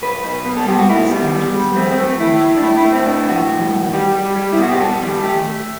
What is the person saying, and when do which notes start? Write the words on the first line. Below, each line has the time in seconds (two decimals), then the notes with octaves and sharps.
Venus' statues, and her worshipers, wore myrtle crowns at her festivals.
0.02 B1 B4
0.24 B1 B4
0.45 B2
0.57 A4
0.67 B2 G4
0.79 F#4
0.89 B1 E4
1.11 G3 B3
1.33 G3
1.54 G3
1.76 A3 C4
1.91 C4
1.98 A3
2.19 A2 E4
2.41 A2
2.57 D4
2.62 A2 E4
2.77 E4
2.84 A3
2.92 C4
3.06 A2 D4
3.28 A2 F#4
3.49 B1
3.72 B1
3.93 G3 G4
4.15 G3
4.36 G3
4.53 E4
4.59 B2 F#4
4.71 G4
4.80 B1 A4
5.02 G3
5.23 A3 G4